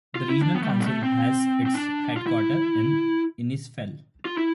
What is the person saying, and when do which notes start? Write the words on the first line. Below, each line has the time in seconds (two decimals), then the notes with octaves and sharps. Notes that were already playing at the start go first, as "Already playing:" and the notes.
The regional council has its headquarters in Innisfail.
0.15 F4
0.30 E4
0.42 D4
0.55 B3
0.63 A3
0.68 G3
0.80 B3
0.86 A3
1.03 C4
1.66 C4
1.74 D4
2.17 F4
2.27 E4
4.25 F4
4.38 E4